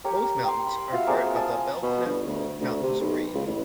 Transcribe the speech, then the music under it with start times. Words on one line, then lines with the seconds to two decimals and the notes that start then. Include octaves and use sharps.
Both mountains are part of the Belknap Mountains range.
0.04 G4 A#4 C#5
0.44 G5 C6
0.67 B5
0.92 F4 F#4 E5 F5
1.07 A#3 C4 G#4
1.36 F5 G#5 A5 D#6
1.83 B2
2.06 G1
2.27 D2
2.61 D2
2.83 C3
3.01 B1
3.34 C#2
3.46 A1